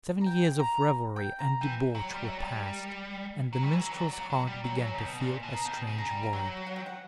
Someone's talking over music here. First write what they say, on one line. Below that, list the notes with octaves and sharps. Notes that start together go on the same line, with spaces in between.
Seven years of revelry and debauch were passed, and the minstrel's heart began to feel a strange void.
A#5
G5
G5
A#5
G5
A#5
E3 G5
F#3 G5
G3
F#3 E5
G3
A#4
F#3
G3 C#5
E3
F#3
E3
F#3 D5
F#3
F#3 A#5
G3
F#3 G5
E3
F#3
A#5
C#3
B2 G5
A#2
B2
A#5
B2 G5
C#3
A#5
G3
A#5
F#3 G5
F#5
G5
F#5